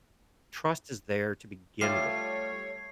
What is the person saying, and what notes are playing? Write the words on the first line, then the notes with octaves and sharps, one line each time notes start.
trust is there to begin with,
G3 A3 F4 C#5 C7